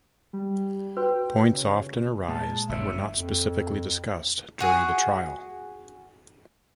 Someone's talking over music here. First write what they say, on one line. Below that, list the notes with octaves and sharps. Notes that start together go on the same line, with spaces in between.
Points often arise that were not specifically discussed during the trial.
G3
F#4 B4 G5
C#3
A#2 G#3 A5
F#1 G2 C#3 E5
F2
F#4 G#4